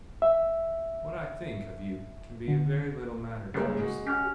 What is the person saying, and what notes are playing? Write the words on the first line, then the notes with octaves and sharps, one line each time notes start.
"What I think of you can be a very little matter to you, sir."
E5
D3
C#2 A#2 C#3 A#3
G#3 F#4
C#4 G4